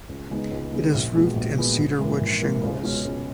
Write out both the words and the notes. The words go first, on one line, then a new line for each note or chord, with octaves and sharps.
It is roofed in cedar wood shingles.
C#2
C#3 G#3 B3 D#4
C#2
C#3 G#3 B3 D#4
A#1
A#2 G#3 B3 F#4
A#1
A#2 G#3 B3 F#4
A#1
G#2 E3 A#3
A#1
G#2 E3 A#3
C#2
B2 G#3 C#4
C#2